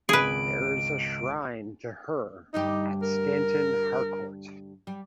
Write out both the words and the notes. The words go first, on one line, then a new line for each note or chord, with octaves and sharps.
There is a shrine to her at Stanton Harcourt.
G#1 C#2 G#4 B4 D7
D2 G2 D#4 G4
A#4
G3